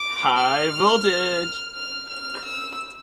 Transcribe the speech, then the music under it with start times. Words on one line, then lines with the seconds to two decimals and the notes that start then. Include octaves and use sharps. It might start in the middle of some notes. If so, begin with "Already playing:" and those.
High voltage!
Already playing: D6
0.37 F6
1.75 F6
2.09 F6
2.44 E6